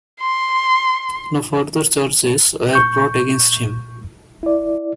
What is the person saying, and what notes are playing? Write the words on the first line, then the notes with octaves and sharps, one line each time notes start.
No further charges were brought against him.
C6
A#2 C#6 G6
E4 D5